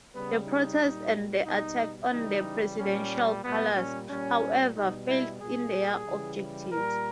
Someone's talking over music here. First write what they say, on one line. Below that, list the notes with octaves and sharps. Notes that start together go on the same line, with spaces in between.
The protests and the attack on the presidential palace, however, failed in their objectives.
C#3 G3 B3
D#4
A#2 G3
B2 G3 D#4
C#3 E3 G3 D#4
A#2 G3 C#4
A#2 G3 B3
C#4
A#2 G3 C#4
B2 G3 D#4
E4
A#2 G3 G#4
C#3 E3 G3
A#2 G3 A#4